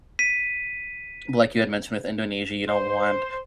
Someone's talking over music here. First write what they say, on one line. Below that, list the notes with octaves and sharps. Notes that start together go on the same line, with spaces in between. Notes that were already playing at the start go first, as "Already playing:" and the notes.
like you had mentioned with Indonesia, you don't want
B6 D#7
C5